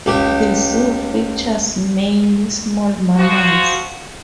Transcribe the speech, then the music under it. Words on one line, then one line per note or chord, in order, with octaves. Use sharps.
The zoo features mainly small mammals.
C#2 G4
F3 F#4